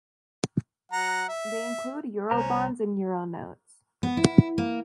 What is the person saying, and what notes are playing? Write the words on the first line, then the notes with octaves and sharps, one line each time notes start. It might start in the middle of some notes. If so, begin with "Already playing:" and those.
They include eurobonds and euronotes.
F#3 F#5 A#5
E5
C2 C#4 C5 A#5
B3
E4
A#3